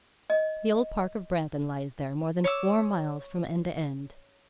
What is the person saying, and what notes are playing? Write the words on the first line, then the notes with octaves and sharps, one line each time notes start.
The old park of Brandon lies there, more than four miles from end to end.
D#5
C#5 D6 E6